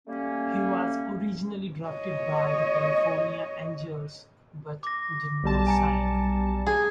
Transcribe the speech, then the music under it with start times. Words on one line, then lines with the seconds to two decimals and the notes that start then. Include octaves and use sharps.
He was originally drafted by the California Angels but did not sign.
0.07 G3 A3 A#3 C#4
1.87 C#5 D#5
4.83 D6 A#6
5.43 B1 G3 A5
5.67 G#5 A#5 C#7
6.66 G#4